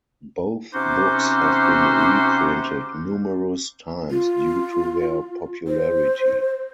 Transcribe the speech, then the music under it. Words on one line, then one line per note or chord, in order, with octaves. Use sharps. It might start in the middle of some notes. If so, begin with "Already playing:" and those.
Both books have been reprinted numerous times due to their popularity.
C3 C#4 D#4 F#4 C5 D6
F4
C5